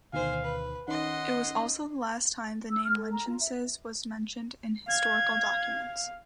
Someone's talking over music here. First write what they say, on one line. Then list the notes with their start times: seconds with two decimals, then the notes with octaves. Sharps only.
It was also the last time the name Lentienses was mentioned in historical documents.
0.13 D2 B2 D#3 C5 F5 G#5
0.45 B4
0.88 D#3 C#4 D#4 D#5 F#5 C6
2.70 E6
2.82 F6
2.97 A4
3.12 A#5
3.27 F4
3.40 E5
4.88 F5 G#6